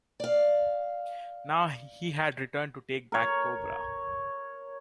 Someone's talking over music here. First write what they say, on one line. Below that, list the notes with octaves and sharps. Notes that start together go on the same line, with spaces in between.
Now, he had returned to take back Cobra.
D5 F5
A#4 C#5